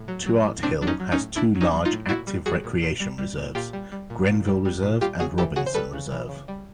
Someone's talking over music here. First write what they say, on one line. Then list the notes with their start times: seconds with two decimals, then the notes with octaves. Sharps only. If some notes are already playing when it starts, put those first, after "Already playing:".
Tuart Hill has two large active recreation reserves: Grenville Reserve and Robinson Reserve.
Already playing: A2
0.08 F#3
0.26 F#3
0.45 A2
0.62 A2 C4 D4
0.81 F#3 D4
0.87 C#4 D#4
1.00 F#3
1.12 C#4 D#4
1.17 A2
1.36 A2 D4 E4
1.55 F#3
1.61 C#4 D#4
1.73 F#3
1.85 D#4 F4
1.91 A2
2.09 A#2 E4 F#4
2.27 G3
2.46 G3 F#4 G#4
2.64 A#2
2.82 A#2
3.00 G3
3.18 G3
3.37 A#2
3.55 A#2 F4 G4
3.73 G3
3.92 G3
4.10 A#2
4.29 A#2
4.47 G3
4.65 G3
4.83 A#2
5.01 G3 F4 G4
5.20 C#3 F#4 G#4
5.38 E3 G4 A4
5.56 C#3 F#4 G#4
5.66 C5
5.74 G3 A4 B4
5.93 C#3
6.11 E3
6.29 C#3
6.48 G3